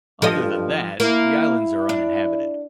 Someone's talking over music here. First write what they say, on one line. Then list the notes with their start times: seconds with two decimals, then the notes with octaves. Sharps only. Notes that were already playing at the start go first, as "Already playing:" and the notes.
Other than that, the islands are uninhabited.
0.22 G2 F3 A4 D#5
1.00 A#3 E4
1.89 D4